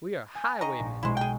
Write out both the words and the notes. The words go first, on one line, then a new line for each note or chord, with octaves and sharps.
We are highwaymen.
G#5 G6
D#3 D#5 A#5 C#6
A#1
B1 G#3 E4 C5
G#4 G5